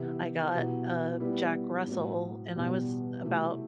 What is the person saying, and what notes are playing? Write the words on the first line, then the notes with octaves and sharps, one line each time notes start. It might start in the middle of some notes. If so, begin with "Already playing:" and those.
I got a Jack Russell and I was about,
Already playing: C3 E3 B3 E4 G4
B2 F#3 B3 E4 G4
G3 B3 E4 B4
A2 F#3 C4
E2 B2 G3
C3 F#3 A3 E4 G4